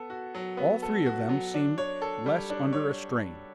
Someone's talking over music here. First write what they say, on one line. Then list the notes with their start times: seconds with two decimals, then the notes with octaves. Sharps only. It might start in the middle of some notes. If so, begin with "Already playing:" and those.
All three of them seemed less under a strain.
Already playing: B3 A4
0.10 F#4
0.35 F#3
0.57 B3
0.82 A4
1.06 F#4
1.29 F#3
1.54 D4
1.78 C#5
2.02 A4
2.26 G3
2.50 D4
2.73 C#5